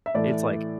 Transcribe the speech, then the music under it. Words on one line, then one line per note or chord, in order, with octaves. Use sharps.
it's, like,
E5
A2 E3 A3 D5